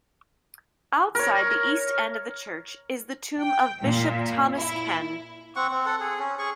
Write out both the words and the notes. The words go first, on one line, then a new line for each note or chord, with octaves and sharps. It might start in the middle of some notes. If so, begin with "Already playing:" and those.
Outside the east end of the church is the tomb of Bishop Thomas Ken.
A#4 C#5
G5
A#2
E4
C4 F#5 C#6
C4
A4 F#5
G#4
C#4
G#4 C#6